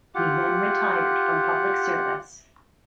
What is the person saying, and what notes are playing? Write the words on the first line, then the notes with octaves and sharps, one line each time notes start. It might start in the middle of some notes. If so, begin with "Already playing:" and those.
He then retired from public service.
F4 G4 F#5